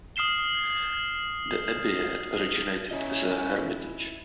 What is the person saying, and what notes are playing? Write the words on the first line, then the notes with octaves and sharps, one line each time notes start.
The abbey had originated as a hermitage.
D#6 F6 C7 E7 G7
C#4 E4 D#5